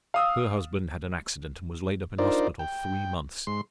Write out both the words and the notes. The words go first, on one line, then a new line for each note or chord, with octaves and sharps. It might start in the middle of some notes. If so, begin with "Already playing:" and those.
Her husband had an accident and was laid up in hospital three months.
F5 D#6 E6
D4 D#4 F4 A#4 C5 D5
G5
G#2 C6